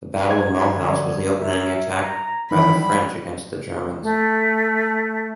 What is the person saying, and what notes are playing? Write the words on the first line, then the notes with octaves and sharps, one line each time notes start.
The Battle of Mulhouse was the opening attack by the French against the Germans.
G#2 G#6
D3 F3 G3
A#4 E5
A#5
G#2 D#3 E3 F#3 G3 B5
A3